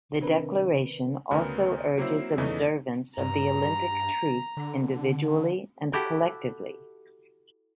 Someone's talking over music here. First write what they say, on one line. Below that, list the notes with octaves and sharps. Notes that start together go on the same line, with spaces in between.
The Declaration also urges observance of the Olympic truce individually and collectively.
C3 D#3 C4 D4 A#4 B4
D2 C#3 B3 A#4
F#3 A#3 C4 E4
E2 C#3 E3 A3 D#4
G2 A#5
D3
E4 F#4 G4 A4